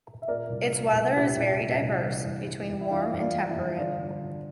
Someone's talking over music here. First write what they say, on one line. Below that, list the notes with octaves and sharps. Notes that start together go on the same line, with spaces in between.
Its weather is very diverse, between warm and temperate.
E5
A#2 A#4 D5
C2
A#2
C2
A#2 E4 G4
C2
A#2
C2
E3
G2
E3
G2
E4
E3 D4 F4
G2
D4 F4
E3
E4
G2
D3 D4 F4
G2
D3